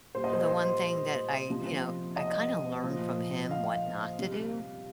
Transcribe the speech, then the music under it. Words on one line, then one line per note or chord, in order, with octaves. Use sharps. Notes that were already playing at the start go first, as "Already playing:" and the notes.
the one thing that I you know, I kinda learned from him what not to do
A#2 G3 C5
D#5
C5
C3 F3
D#5
A#2 F3
F5
C3 G3